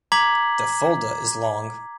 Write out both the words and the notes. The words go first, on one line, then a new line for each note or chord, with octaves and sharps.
The Fulda is long.
A#5 D6 G#6 B6 F#7